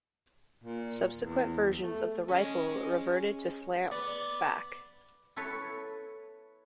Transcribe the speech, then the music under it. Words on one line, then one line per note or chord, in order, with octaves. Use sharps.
Subsequent versions of the rifle reverted to slant-back.
A#2
E2
A3
G#3 C#4
B3 D5
E4 A4 B4 C#5